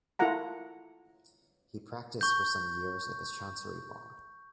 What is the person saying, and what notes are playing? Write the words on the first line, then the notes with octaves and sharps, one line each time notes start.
He practiced for some years at the Chancery Bar.
E4 F4 A4 A#4 F#5 A#5
C#6 G6